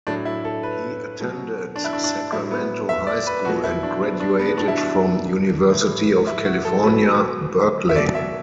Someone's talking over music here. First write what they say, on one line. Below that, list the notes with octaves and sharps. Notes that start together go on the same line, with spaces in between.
He attended Sacramento High School and graduated from University of California, Berkeley.
A2 F#3 D4
E4
A4
B4
B2 F#3
D4
E4
D4
D4
A2 F#3 E4
B3
E5
D5
B4
B2 F#3 F#4
E4
D4
B3
D4
B3
B2 F#3 D4
E4
D4
A2 E3
E4
F#4
A4
B2 F#3 B4
E5
B2 F#3 D5
E5